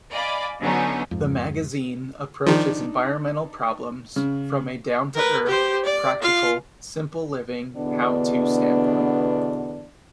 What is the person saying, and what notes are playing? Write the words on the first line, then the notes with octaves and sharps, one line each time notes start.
The magazine approaches environmental problems from a down-to-earth, practical, simple living, how-to standpoint.
D5 D#5 F5 G#5 B5 D6
D3 F#3 B3 C#4 D#4
F2 G#2
D#3 F3 D4 D#4
C#3
A#4 B4
G4 C5
D5
F4 F5
E2 B2 D3 B3 D4